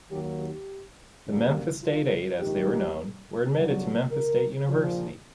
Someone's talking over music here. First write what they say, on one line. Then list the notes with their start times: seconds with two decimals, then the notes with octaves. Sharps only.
The Memphis State Eight, as they were known, were admitted to Memphis State University.
0.11 D#2 D#3 F#3 A#3 G4
0.39 G4
1.26 F#2 D3 G3 A#3
1.83 F4
2.39 A#1 G#2 D#3 G4
3.54 G1 G2 D3 F#3
4.11 A#4
4.68 A#1 A#2 F3